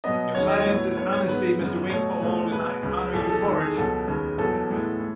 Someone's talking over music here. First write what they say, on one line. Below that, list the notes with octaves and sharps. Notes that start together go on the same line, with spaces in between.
"Your silence is honesty, Mr. Wingfold, and I honour you for it," said Bascombe.
B2 F#3 B3 D#5
D#2 C#3 F#3 C#5
D#5
C#5
A2 F#3 B3
G#2 F#3 B3 C#5
C#5
G#2 F#3 B3 B4
F#2 C#3 G#3 B3
B2 F#3 A3 C#5
E2 B2 A3
B2 G#3 B3 B4
C#2 C#3 G#3
E2 B2 F#3 A4
A4
E2 D#3 G#3 A4
G#4
C#2 B2 F#3 B3 A4
D#2 C#3 G#3 B3
E2 B2 F#3 B3 A4
A2 E3 G#3 B3
A2